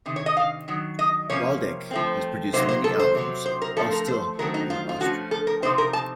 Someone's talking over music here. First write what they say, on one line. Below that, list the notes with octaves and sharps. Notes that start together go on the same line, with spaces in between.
Waldeck has produced many albums while still in Austria.
C3 D#3
C#5
D#5
F5
D#3 F#3
D#5
C3 F3 A#3 C#4 C#5
F3 A3 C4
C3 F#3 A#3 D#4 C5
C5
A4
C5
C3 F#3 C4
C5
A#4
F3 A3 C4 A4
A#4
C5
D#3 F#3 A3 C4 A#4
D#4
F4
F4
F3 A3 C#4 F#4
A4
A#4
C3 F3 C4 D#4 C5
A#4
A5